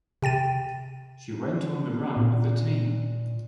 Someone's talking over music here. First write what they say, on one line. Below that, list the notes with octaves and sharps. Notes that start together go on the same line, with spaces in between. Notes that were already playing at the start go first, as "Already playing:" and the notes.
She went on the run with the team.
C3 G5 A6 D#7
A#2